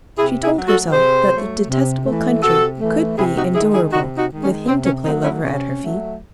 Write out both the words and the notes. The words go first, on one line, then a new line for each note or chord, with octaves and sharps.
She told herself that "the detestable country" could be endurable with him to play lover at her feet.
C3 E4 G#4
E4 G#4
F#3 A3
F#4 A4
C3 G#4 C5
F#3 A3
C3
E3 A3
C3 F#4 A4
E3 A3
C3 E4 G#4
D#4 F#4
D#3 G#3 E4 G#4
E4 G#4
C3 D#4 F#4
D#4 F#4
D#3 G#3
C#4
C3 C4
C#4
F#3 A3 C4 D#4
C#4 E4
C3 C#4
F#3 A3